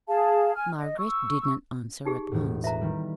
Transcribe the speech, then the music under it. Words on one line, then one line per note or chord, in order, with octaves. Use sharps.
Margaret did not answer at once.
G#4 F5 A5
G#5 F6
D#5
C#6 E6
D#4 G4 G#4
E1 A2
B4 E5 A#5
D#3 G3